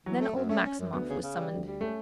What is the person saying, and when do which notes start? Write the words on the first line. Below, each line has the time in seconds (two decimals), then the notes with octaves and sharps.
Then old Maximov was summoned.
0.06 E3 F#3
0.21 A3
0.35 F#2
0.49 A3 C#4
0.65 C#4
0.79 F#2
0.93 D2 B3
1.09 C#3
1.22 C#3
1.36 G3
1.51 D2
1.66 G3
1.81 A3 C#4